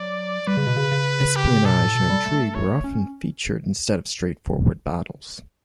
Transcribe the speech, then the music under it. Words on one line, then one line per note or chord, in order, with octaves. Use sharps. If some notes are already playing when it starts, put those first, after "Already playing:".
Espionage and intrigue were often featured instead of straightforward battles.
Already playing: F#3 D5
G3 B4
C#3
B2
C#3
C#3
G4
B2 A4
A2
B2
G3
A3
C#5
C#4